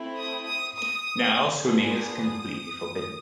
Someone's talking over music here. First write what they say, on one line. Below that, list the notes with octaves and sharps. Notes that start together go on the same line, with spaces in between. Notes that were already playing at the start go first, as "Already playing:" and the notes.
Now swimming is completely forbidden.
Already playing: A3 C4 E4
D#6
D#6
D#6
B3 D4 F4 G#4 D#6